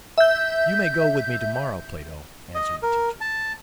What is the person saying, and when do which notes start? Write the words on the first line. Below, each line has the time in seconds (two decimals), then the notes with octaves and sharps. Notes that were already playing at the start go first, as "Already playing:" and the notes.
"You may go with me to-morrow, Plato," answered the teacher.
0.18 E5 G6
2.55 D#5
2.83 A#4
3.21 A5